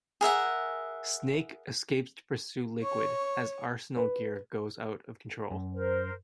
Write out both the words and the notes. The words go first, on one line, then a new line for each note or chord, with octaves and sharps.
Snake escapes to pursue Liquid, as Arsenal Gear goes out of control.
G#4 A#4 E5 F#5
C#5 C#6
B4
F#2
A#4 C5